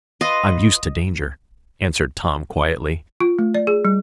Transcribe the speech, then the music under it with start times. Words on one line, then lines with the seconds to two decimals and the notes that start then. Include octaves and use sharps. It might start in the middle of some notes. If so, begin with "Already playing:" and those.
"I'm used to danger," answered Tom, quietly.
0.21 F4 B4 D#5 C6
3.20 F4
3.39 A3
3.55 D5
3.67 G#4
3.85 G3